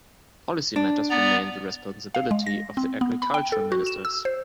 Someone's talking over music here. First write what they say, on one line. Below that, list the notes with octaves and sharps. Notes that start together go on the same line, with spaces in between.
Policy matters remained the responsibility of the Agriculture Ministers.
D4
B3 D5 A#5
F5
G#3
A#6
C4
B3
B5
G5
A4
F#4
E7
E6
C5